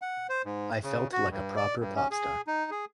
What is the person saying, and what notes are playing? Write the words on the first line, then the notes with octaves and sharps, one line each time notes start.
I felt like a proper pop star.
F#5
C5
G#2
C#3
F#4
G2
D5
G2
C#4
G#4
D#4
G#4